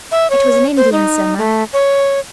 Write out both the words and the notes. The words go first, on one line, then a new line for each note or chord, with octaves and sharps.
It was Indian Summer.
E5
C#5
C5
D#4
A3
C#5